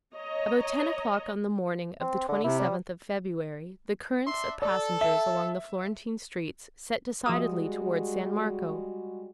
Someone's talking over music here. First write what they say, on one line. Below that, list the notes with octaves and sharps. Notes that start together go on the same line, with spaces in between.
About ten o'clock on the morning of the twenty-seventh of February the currents of passengers along the Florentine streets set decidedly towards San Marco.
C#5 D#5 A#5
C4
D3
C3 E4
G3
D4 E5 C6
A4 D5
E5
F3 G3 G#3 F#4 E5 D#6